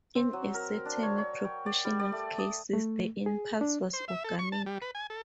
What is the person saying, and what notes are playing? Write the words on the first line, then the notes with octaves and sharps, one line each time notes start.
In a certain proportion of cases the impulse was organic.
C4
F#3
A#4
D4
C#5
C#5
G5
D5
G3
D5
A3
D#6
A3
G#4
D4
C5
E5
A4
C#6
A5
G3
B4
G#5
A4